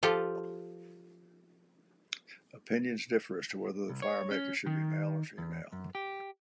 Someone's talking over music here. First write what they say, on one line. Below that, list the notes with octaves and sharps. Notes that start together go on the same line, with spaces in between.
Opinions differ as to whether the fire-makers should be male or female.
F3 F4 G4 A4
C2
C#5
C#4
D#3
E2
F#2
G4